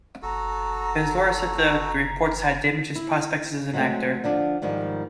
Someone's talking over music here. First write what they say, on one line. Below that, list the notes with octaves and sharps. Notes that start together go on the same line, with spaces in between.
His lawyer said the reports had "damaged his prospects as an actor".
F#1 F#4 A4 A#5
E4
F#3 G#3 A3 C4
D3 F3 D4
G#2 D#3 F3 G3